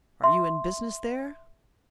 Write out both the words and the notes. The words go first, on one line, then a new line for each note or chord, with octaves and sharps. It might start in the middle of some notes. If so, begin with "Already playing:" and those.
"Are you in business there?"
E5 C6